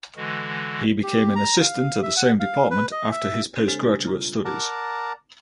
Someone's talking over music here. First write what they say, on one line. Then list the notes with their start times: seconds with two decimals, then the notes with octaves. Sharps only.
He became an assistant at the same department after his postgraduate studies.
0.16 D3 E3 G#3 F#4
1.03 G4
1.36 A#5
1.60 F5
2.03 E5
2.17 F#5
2.40 F5
2.71 B4
2.92 D#5
3.12 E5
3.56 C4 D4 G4 A4 C5
3.68 C#3 G#3 D4 C5 A6
3.83 B2 G3
4.05 F4 A#5
4.45 A#4 D5 F#5 A5 A#5